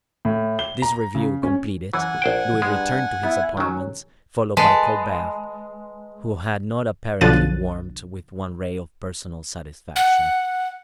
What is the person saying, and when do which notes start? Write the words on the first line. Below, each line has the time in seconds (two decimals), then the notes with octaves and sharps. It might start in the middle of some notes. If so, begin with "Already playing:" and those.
This review completed, Louis returned to his apartments, followed by Colbert, who had not apparently warmed with one ray of personal satisfaction.
0.25 A2
0.59 G7
0.82 A#5
1.15 C#3
1.43 C#4
1.93 F#2 E3 F#5 G#5
2.22 A#1 C5 G5
2.62 G2 G#3
3.23 B3 E4
3.57 D#3 F#3 C#4
4.57 G#3 B4 A5
7.21 B1 D3 F3 F#6 A6 D#7
9.96 F#5